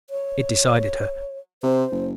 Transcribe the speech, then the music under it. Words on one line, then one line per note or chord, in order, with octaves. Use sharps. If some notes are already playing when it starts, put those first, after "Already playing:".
It decided her.
C#5
C3 C5
F#1